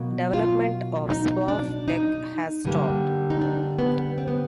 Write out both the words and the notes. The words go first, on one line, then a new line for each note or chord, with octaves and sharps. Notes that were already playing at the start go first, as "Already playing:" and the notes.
Development of Swfdec has stopped.
Already playing: B2 F#3 A#3
F4
D#4
D4
D#4
G2 D3 G3 A#3
D#4
D4
B3
C4
B3